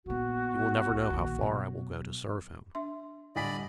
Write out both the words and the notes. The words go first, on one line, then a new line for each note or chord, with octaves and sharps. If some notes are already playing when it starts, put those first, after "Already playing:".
He will never know how far I will go to serve him.
A#1 B3 F#4
C2
A#1 D#3
B2 F#3
D4 E5 C6
D2 A2 G3 D5 D#5 G#5 B5 B6